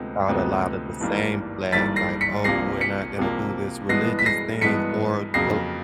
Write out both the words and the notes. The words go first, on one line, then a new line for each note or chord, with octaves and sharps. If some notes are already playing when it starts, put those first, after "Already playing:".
thought a lotta the same flag like, "Oh, we're not gonna do this religious thing or p
Already playing: D2 C3 F3 G#3 B3
D2 C3 F3 G#3 B3
G#1 G2 E3 G3 A#3
G#1 G2 E3 G3 A#3 A6 B6
A#6 C7
B6 C#7
C2 C3 F3 A#3 A#6 C7
B6 C#7
C2 C3 F3 A#3
G2 E3 G#3 B3 A#6 C7
B6
A#6 C7
G2 E3 G#3 B3 B6 C#7
F2 C#3 F#3 A#3 A#6 C7